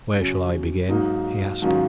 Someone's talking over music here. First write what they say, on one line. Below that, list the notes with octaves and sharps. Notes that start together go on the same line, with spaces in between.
"Where shall I begin?" he asked.
C#3 F#3 C#4
G#2 F#3 A#3 D#4
G#2 D#3 F#3 C#4 F4